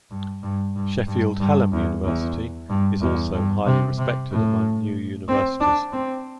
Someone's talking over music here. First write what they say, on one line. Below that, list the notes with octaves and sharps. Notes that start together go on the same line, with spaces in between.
Sheffield Hallam University is also highly respected among New Universities.
G2
G2
G2
G2
G2
E2
E2
G2
E2
G2
C3
C3
A2
C4
D4
C4